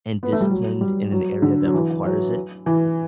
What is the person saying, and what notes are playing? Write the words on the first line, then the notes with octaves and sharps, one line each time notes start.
and disciplined in an area that requires it.
B3
A3
G3
F#3
G3
F#3
D3
F#3
E3
F#3
E3